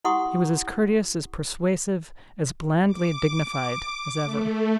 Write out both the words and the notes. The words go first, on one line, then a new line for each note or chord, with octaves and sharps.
He was as courteous, as persuasive, as blandly dignified as ever.
E4 G4 F#5 C6 C#6 D#6
D6
A3